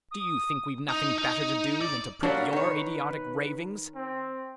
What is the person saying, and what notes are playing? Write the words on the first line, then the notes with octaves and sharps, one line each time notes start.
Do you think we've nothing better to do than to print your idiotic ravings?
D#6
D#4
D#4
D5
F#3 G3 A#3 D4
D#3 B4 C#5
C4